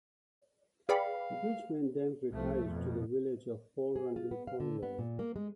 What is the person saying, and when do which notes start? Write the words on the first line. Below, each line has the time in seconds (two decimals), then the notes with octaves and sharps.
Bridgman then retired to the village of Polruan in Cornwall.
0.89 G#4 B4 D5 F5 G5 B5
2.30 C2 F3 A3
2.67 F2 B2
3.96 G#4
4.16 F4
4.31 B3
4.47 F5
4.60 D3
4.83 B3
4.99 A#2
5.19 A#3
5.36 G#3